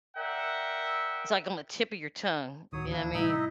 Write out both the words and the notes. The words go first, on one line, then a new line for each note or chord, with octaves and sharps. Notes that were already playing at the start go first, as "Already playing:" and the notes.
it's, like, on the tip of your tongue, you know I mean?
A#4 D5 E5 F#5 G5
D1 D#2 D#3 F#3 C#5 D#6
A#3 D4 E4
A2 C3 G3 D#4 E4 D#5 E5